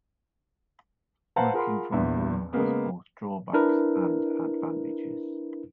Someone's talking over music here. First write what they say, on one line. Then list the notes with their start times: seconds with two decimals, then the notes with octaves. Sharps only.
Working from home has both drawbacks and advantages.
1.36 B4 C5 F5 F#5 A5 A#5
1.53 F4 G#4 A#4 F#5 B5 C6
1.92 A#1 E2 B3 E5
2.53 C#3 G#3 A#3 B3
3.53 D4 E4 A#4 B4